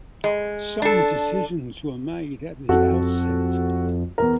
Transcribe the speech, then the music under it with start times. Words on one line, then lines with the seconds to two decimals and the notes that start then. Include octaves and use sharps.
Some decisions were made at the outset.
0.24 G#3
0.82 D4 A4
2.69 F2 F#4 A4
4.18 E2 A#4